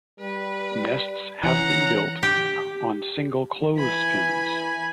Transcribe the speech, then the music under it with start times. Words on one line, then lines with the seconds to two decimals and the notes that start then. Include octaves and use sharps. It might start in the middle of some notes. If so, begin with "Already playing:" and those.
Nests have been built on single clothespins.
0.20 G3 B4
1.43 E3 C#4 F#5 A#5
2.23 G4
3.77 E3 G#5 B5